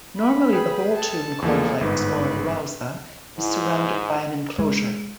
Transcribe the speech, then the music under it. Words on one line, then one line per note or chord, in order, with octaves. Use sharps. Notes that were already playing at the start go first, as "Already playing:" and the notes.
Normally the whole tomb complex or "rauza" is surrounded by an enclosure.
B5
G#4 B4 G5
A4 A5
E2 F3 G#3 A#3 A4
G1 G#2 B4
G#2 E4
G#3